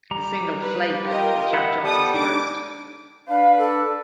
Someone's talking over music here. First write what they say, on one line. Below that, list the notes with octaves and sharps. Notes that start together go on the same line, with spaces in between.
The single "Flake" was Jack Johnson's first.
G3 A#5
B4
F4 G4 A#4 D#5
E5 F#5 B5
G3 B3 A4 D#6
G#3 D4 D#4 D6
D4 B4 F5
A4